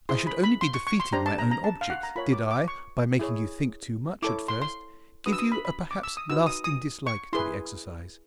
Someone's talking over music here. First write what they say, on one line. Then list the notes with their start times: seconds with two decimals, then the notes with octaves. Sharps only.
I should only be defeating my own object did I, by making you think too much at first, give you a perhaps, lasting dislike to the exercise.
0.09 E4 G#4 C5 C6
0.27 B5
0.44 B5
0.61 C6
0.74 C#6
0.87 C#6
1.00 C6
1.13 D4 G4 C5 A#5
1.26 A5
1.39 A#5
1.51 A#5
1.64 A5
1.81 F5
1.90 F#5
2.03 A#5
2.16 F4 A#4 C#5 B5
2.33 D6
2.51 D6
2.68 C#6
3.19 E4 G#4 C#5
4.22 E4 A4 C#5 D6
4.48 C6
4.62 C6
5.26 D4 F#4 B4 D#6
5.33 E6
5.39 D#6
5.52 B5
5.65 B5
5.91 D6
6.03 E6
6.17 D#6
6.30 D#4 F#4 B4 E6
6.47 D#6
6.64 D#6
7.07 C#6
7.33 E4 G#4 B4 C6